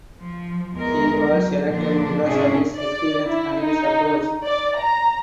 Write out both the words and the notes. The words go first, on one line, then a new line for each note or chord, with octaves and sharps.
He was selected because of his experience and his approach.
F3
E2 G#3 A#4
F#3
A#2 D3 F3 D4
G#2 C3 C#4 D4 E4 G#4
D5
E4
D#4
D5
A#5